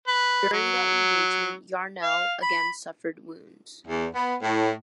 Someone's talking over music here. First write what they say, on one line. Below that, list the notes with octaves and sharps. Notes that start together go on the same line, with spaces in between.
During that engagement, Yarnall again suffered wounds.
B4
F#3
F5
B5
E2
B3
A2